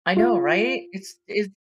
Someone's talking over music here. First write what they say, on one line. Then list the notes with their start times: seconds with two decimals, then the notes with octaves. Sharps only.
I know, right? It's it's
0.17 F4